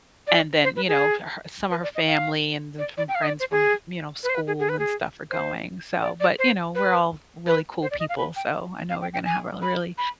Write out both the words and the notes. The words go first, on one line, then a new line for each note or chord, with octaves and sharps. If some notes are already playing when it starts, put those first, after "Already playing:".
And then, you know, for her some of her family and then some friends from, you know, school and stuff are going, so but, you know, we're all really cool people, so I know we're gonna have a really
D5
C5
B4
G#4
B4
D5
D#5
F5
D5
D5
G5
F5
D#5
D5
C5
G#4
B4
C5
B4
G#4
G#4
B4
G#4
C5
D5
D5
C5
B4
B4
C5
D5
D#5
F5
B5
G5
F5
G5
G5
G#5
B5
B5